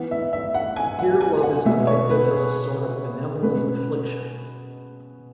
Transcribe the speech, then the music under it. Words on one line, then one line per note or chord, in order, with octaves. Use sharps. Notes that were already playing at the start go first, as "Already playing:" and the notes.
Here love is depicted as a sort of benevolent affliction.
Already playing: E3 B3 F#5
E5
E5
F#5
G#5
F#5
G#5
F#5
B2 G#3 B3 E5
C#5
B4
G#4
B2 G#3 C#4 B4